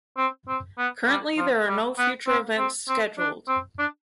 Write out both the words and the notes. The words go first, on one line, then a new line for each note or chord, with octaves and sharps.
Currently there are no future events scheduled.
C4
C4
B3
G3
F3
G3
B3
C4
C4
C4
D4
C4
D4